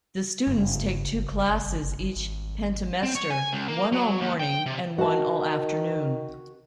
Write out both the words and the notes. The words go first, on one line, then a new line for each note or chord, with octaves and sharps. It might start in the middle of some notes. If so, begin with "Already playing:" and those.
The students take two classes each pentamester, one all morning and one all afternoon.
F#1 G2
G#1
G#1
C4
C#5
G#5
C#2
A#3
F#3
D#2
G5
C3
D#3 F#4 A5